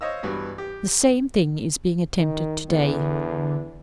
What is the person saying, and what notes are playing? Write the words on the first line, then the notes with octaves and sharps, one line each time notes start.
The same thing is being attempted to-day.
C5 C#5 D#5 F5 E6
G2 E3 B3 F#4
G4
D#3
E2 D3